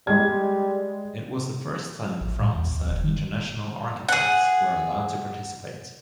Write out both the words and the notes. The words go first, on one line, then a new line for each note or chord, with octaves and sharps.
It was the first time in France that international architects were allowed to participate.
G3 G#3 G#6
A1
A2
E2
D#2
F1
D#3
G#4 F#5